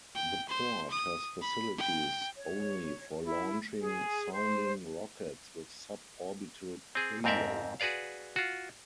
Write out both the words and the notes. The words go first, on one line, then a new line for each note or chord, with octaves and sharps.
The port has facilities only for launching sounding rockets with sub-orbital payloads.
G5
C5
D#6
B5
G5
C#5
E4
G#4
C5
C4 G#4
F2 G#2 C4 A#4 D5 E5
F#4 G#4 B4 D5 F5
F4 F#4